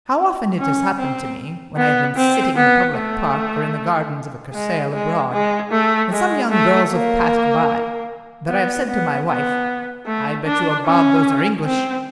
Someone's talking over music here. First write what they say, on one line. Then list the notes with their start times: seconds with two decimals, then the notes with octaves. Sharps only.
How often it has happened to me, when I have been sitting in a public park or in the gardens of a Cursaal abroad, and some young girls have passed by, that I have said to my wife: "I bet you a bob those are English."
0.59 C#4
0.98 C4
1.77 B3
2.16 C4
2.56 B3
2.95 A3
4.54 G#3
4.93 G#3
5.32 G#3
5.72 A3
6.12 G#3
6.51 A3
6.91 A#3
8.48 B3
8.88 B3
9.28 B3
10.07 A3
10.46 D4
10.86 C#4
11.65 C4